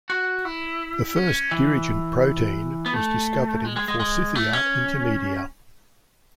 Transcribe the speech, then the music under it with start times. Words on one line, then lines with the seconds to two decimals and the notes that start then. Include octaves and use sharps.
The first dirigent protein was discovered in "Forsythia intermedia".
0.10 F#4
0.45 E4
1.16 C#4
1.51 E3
2.86 B3
2.94 A3
3.65 G#3
3.76 G#3
3.88 G#3
4.00 G#3
4.35 A3
4.53 C#4